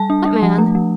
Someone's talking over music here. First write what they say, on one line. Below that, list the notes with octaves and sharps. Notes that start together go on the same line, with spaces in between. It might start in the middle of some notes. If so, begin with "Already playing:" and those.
"What man?"
Already playing: G3 A5
D4
D4
F3
A3
F3